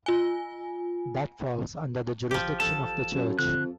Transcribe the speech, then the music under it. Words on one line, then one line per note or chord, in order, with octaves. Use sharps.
That falls under the jurisdiction of the church.
F4 G#5
A1 F3 G4
A4 A5
F#2
F2 D3 F#6